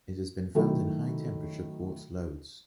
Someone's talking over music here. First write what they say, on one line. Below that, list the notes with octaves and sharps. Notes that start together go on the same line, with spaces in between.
It has been found in high-temperature quartz lodes.
D#3 F#3 A3 E4 A4